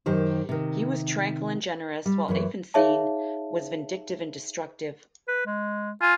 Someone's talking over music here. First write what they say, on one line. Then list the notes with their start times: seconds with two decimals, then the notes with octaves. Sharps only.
He was tranquil and generous, while Efnisien was vindictive and destructive.
0.06 F#2 D#3 G4 C5
0.49 C3 D#3
2.06 G3
2.28 F#2 E3 C#5
2.74 D#4 G#4 C#5 E5 F5 A5
5.28 B4
5.46 G#3
6.02 F4 G#5